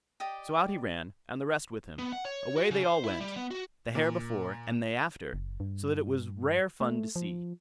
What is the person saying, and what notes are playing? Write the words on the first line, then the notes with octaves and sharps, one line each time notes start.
So out he ran, and the rest with him--away they all went, the hare before, and they after; so that it was rare fun to see.
G4 D5 D#5 G5
B3
F#5
C#5
F#4
C#3
C5
E4
G3
B3
F#4
A#2
F#1
G2
A3
F3